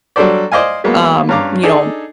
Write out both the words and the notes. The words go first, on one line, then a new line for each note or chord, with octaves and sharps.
um, you know,
F#3 G3 D4 A4 C5 D5
C5 D5 D#5 F5 G#5
F#3 G#3 A#3 B3
G2 C#4 F5 A#5 D6
D4 D#4 G#4 A4